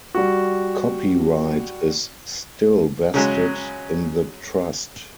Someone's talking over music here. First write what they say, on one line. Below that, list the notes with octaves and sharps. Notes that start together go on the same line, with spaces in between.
Copyright is still vested in the Trust.
G3 F#4
C#3 F#3 G#3